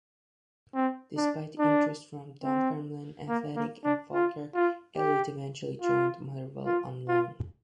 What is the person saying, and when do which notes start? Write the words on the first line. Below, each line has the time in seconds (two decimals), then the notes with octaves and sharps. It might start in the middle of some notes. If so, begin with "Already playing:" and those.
Despite interest from Dunfermline Athletic and Falkirk, Elliot eventually joined Motherwell on loan.
0.74 C4
1.17 D4
1.59 D4
2.44 C4
3.29 A#3
3.56 A#3
3.84 D4
4.13 F4
4.55 F4
4.97 G4
5.82 F4
6.66 F4
7.08 F4